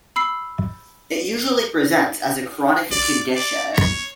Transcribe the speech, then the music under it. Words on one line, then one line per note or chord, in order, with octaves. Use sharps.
It usually presents as a chronic condition.
B5 E6 C7
D5
D5
C#5